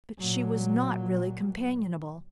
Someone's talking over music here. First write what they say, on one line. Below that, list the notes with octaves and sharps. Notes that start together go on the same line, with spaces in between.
But she was not really companionable.
A#2 F#3